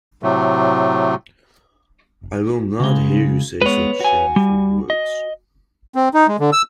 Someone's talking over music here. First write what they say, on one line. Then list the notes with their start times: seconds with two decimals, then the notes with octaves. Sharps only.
I will not hear you say such shameful words!
0.23 A2 C3 F#3 A3
2.80 C#3 G#3
3.62 G#3 B3 B4 C#5
4.00 F#4 G#5
4.36 G3
4.90 D#5
5.95 C4
6.14 D#4
6.28 G#3
6.39 D3
6.52 E6